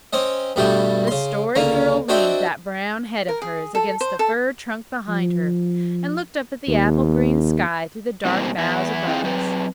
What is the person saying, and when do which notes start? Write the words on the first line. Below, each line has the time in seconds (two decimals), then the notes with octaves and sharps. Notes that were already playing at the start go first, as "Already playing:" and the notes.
The Story Girl leaned that brown head of hers against the fir trunk behind her, and looked up at the apple-green sky through the dark boughs above us.
0.13 C4 C#4 D#5
0.56 G2 B2 G3 A3 B3 G4
1.07 C#3 C6
1.55 C#2 D3 A#3 C#4
2.09 C4 D4 F#4 D#5 E5 G5
3.28 A#4
3.42 G#4
3.75 A4
4.01 C5
4.19 A4
5.09 F3
6.68 D#2
8.25 B2 E3 G3 A#3 C4
8.58 E2 B3 E4
9.07 C4 E4 G#4 F5 G5
9.24 F#3 C4 B4